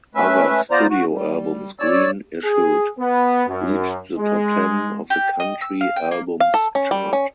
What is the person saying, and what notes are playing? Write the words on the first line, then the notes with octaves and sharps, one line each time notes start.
Other studio albums Greene issued reached the top ten of the country albums chart.
A3 C#4 B4 E5
B3 F4 C5 D5 A#5
F#4
G3
C#5 D5 E6
G#4
B3
F#2
G#3
G4
D#5
E6
F5
G5
A#3
F5
A4
C#4
G3
C#4